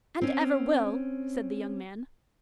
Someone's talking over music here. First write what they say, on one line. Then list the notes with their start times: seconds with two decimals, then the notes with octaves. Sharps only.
'And ever will!' said the young man.
0.21 C4 C#4